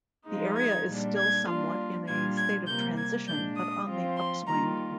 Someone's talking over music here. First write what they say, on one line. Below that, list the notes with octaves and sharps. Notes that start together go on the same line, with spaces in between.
The area is still somewhat in a state of transition, but on the upswing.
F3 G#3 D#4
G#6
A#2 G3 D4
G#6
G3 A#3 D4 F4
A#2 G3 D4 F4 G#6
G#6
C3 G3 A#3 G6
G#6
A#2 G#3 D4 G6
D#6
F3 C4 F4
C6
D#3 G3 A#3 F4 A#5